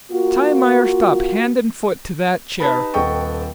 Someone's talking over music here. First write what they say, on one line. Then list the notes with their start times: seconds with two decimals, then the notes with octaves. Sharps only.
Tie Myerst up--hand and foot--to that chair.
0.10 A#3 F4 F#4
2.60 D#4 G4 B4 A5 B5
2.94 D#1 B3 A4 D#5 G5 C#6